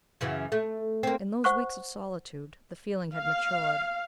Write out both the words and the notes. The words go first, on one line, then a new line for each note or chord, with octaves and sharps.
In those weeks of solitude the feeling had matured.
F#2 C#3 E3
A3
A#3 C4
C5 F#5 C#6 F#6
F5